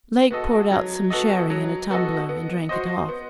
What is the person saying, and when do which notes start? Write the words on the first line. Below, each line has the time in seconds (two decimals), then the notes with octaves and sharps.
Lake poured out some sherry in a tumbler, and drank it off.
0.31 B3 F#4 A4 D#5
0.71 F#3
1.10 B3 F#4 A4 D#5
1.50 F#3
1.90 B3 F#4 A4 D#5
2.29 B3
2.69 F#4 C5 D#5
3.09 B3